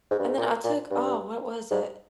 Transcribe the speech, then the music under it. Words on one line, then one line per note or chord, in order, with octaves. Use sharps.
And then I took Oh, what was it?
G#2
G2
G#2
A#2
A#2
G2
G#2